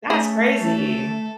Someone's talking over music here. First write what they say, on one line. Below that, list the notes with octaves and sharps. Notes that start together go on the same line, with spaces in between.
That's crazy.
A3 C#4 G#4
A4